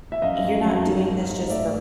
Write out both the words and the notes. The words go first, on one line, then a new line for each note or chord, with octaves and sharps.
"You're not doing this just for
E5
F#2 D#5 F5
F#2
F#3
D#3
G#2
G#2
A3 D5 E5